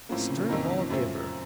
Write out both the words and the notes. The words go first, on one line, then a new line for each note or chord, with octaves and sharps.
Stern lawgiver!
A2 F3 A#3 C#4
C4
C#3
A#2
F2 D#3 A#3 D#4 A#4
F#2 F3 A3 C4